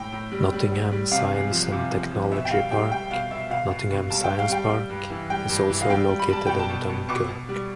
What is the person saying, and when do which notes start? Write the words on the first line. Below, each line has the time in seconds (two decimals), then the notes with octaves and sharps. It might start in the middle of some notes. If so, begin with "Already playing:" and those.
Nottingham Science and Technology Park, Nottingham Science Park, is also located in Dunkirk.
Already playing: A2 G5
0.12 A2
0.32 G3
0.53 G3
0.72 A2
0.92 G3
1.11 C3 F5
1.32 E2
1.51 F3
1.72 C3
1.91 F3
2.11 F3
2.31 B2 E5
2.45 G5
2.51 G3 F5
2.71 G3 G5
2.91 G3 G5
3.10 B2 F5
3.31 B2 E5
3.50 B2 F5
3.71 B2
3.91 B2
4.10 G3 A5
4.24 G5
4.30 G3
4.39 F5
4.50 G3 G5
4.70 G3
4.90 G2
5.10 E3
5.30 G3 G5
5.49 G2
5.70 E3
5.82 F5
5.90 G3 G5
6.10 G3
6.19 B5
6.30 G3 A5
6.46 B2 G5
6.59 A5
6.69 B2
6.90 B2
7.09 B2 D6
7.29 B2
7.49 G3